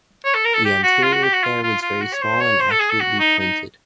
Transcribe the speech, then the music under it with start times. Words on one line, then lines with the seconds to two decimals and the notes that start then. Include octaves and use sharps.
The anterior pair was very small and acutely pointed.
0.25 C#5
0.34 A4
0.45 A#4
0.54 A4
0.65 G4
0.83 F#4
1.03 F4
1.13 F#4
1.23 G4
1.33 F#4
1.43 F4
1.63 F4
1.82 F4
2.02 F#4
2.13 C#5
2.22 C5
2.41 C#5
2.60 C5
2.71 A4
2.80 G#4
2.90 A4
3.00 F#4
3.20 D#4
3.39 D#4